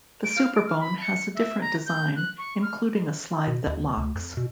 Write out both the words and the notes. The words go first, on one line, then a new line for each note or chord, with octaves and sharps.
The Superbone has a different design, including a slide that locks.
D7
F5
D7
F6
B5
C#7
E5
A#5
G6
F#6
C#6
F6
B2
D#2
D2
F2
B2